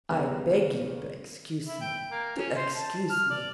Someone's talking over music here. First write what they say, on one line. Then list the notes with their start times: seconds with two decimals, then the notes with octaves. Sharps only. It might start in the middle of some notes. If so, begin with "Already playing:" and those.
I beg you to excuse me, to excuse me...
0.09 D#2 C#3 G3 A#3 B3
1.67 E4
1.81 G5
2.11 A#3
2.37 C#4
2.56 C5
2.74 A5
3.10 F6
3.30 D5